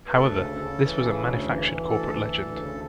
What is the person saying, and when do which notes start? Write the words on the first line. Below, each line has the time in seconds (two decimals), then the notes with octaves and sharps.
However, this was a manufactured corporate legend.
0.07 B4
0.12 D2 A4
0.34 C#3
0.57 C#3
0.78 E3
1.01 C#3
1.22 D2
1.44 E3
1.67 E3
1.88 D2 A4
2.10 E3
2.33 D2
2.55 C#3